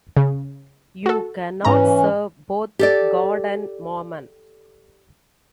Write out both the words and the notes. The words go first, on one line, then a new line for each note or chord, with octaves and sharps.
You cannot serve both God and mammon.
C#3
F#4 A4
G#2 E3 C#4 A#5
G4 A4 D5